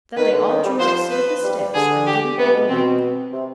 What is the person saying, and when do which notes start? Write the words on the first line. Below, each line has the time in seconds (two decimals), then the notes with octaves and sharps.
Then they all drew up stiff as sticks, and didn't even wink.
0.16 D#3 B4
0.31 D3
0.48 D#3
0.64 G3
0.79 F3 C5
1.11 B4
1.43 G3
1.58 G3
1.74 D3 G#4
2.06 G4
2.38 C3 B3
2.53 B2
2.69 B2 C4
3.32 C3